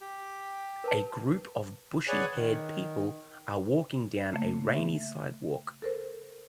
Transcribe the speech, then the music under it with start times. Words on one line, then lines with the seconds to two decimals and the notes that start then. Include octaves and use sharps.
A group of bushy haired people are walking down a rainy sidewalk.
0.01 G4
0.84 A#4 B4 A5
2.08 G#4 B4 C#5 D5 F#5 G#5
2.34 D#3
4.32 C#3 A3 A#3
4.74 E5
5.82 A4 A#4 C5